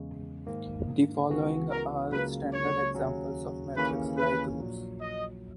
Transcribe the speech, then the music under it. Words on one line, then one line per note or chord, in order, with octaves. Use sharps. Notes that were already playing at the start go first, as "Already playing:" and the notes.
The following are standard examples of matrix Lie groups.
Already playing: E2 C#3 G#3
G#2 D#3 A#3
C#2 C#3 E3 B3 F#4
A#4
C#2 C#3 F#3 A#3 B4
C#5
D#2 C#3 F#3 C#4
D#2 C#3 E3 A#3 C#4 B4
B4
A#1 A#2 F#3
D#5